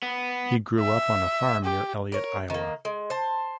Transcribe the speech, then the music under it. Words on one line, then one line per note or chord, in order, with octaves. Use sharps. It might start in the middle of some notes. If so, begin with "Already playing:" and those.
He grew up on a farm near Elliott, Iowa.
B3
E5
G4
A#4 C#5
D#3 A#3
G#3
C5 A5